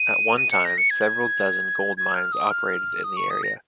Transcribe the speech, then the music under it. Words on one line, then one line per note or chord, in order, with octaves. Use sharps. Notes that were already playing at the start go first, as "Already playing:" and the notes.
At one time, several dozen gold mines operated in the area.
Already playing: D#7
D#7
C#7
A#6
C#7
G#6
G#6
F6
D#6
F6
D#6
C#6
D#6
A#6